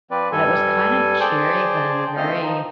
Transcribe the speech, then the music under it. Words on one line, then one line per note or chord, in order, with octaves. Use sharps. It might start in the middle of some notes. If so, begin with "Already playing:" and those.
but it was kind of cheery, but in a very,
F3 C4 B4 D5
G2 G3 A4 G#5
G#4 C5 D5 G5 A5
A3 C4 F4 C5 D#5 F6
F3 D#4